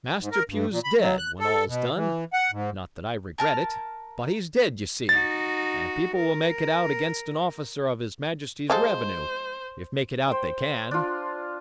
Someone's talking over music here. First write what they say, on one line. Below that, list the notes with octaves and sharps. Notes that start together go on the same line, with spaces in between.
Master Pew's dead, when all's done; not that I regret it, but he's dead, you see, and people will make it out against an officer of his Majesty's revenue, if make it out they can.
G#2
A#4
G2
A#2
B5
F#3
F#6
A4
B2
E3
F#5
G#2
A#4 A5 F6
D#4 F#4 A6
A#4
F3 G#3 A4 C5
C5 G5
D4 F4